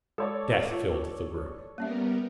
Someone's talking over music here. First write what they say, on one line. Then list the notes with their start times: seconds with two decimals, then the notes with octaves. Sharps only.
Death filled the room.
0.18 G#3 A4 C#5 D5
0.71 F4
1.78 G3 A#3 B3 C#4 A#4 E5